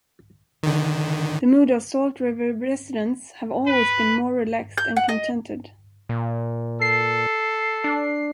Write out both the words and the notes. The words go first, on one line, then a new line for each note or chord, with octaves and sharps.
The mood of Salt River residents have always been more relaxed and contented.
D3 D#3
B4
G6
F#5
D#5
A#2
A4 C7
D4